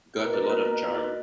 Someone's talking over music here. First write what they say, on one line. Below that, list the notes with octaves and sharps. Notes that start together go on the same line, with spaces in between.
Got a lot of charm.
B2 A#3 B4
D5
A#4
B4
B2 A#3 A#4
D5
B4